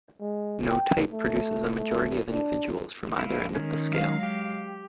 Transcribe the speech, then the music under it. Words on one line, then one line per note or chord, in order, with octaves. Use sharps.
No type produces a majority of individuals from either end of the scale.
G#3
G5
A3
A3
D4
G#3 E4 F4
D#3 C#4
F#3 G#3 F5
G4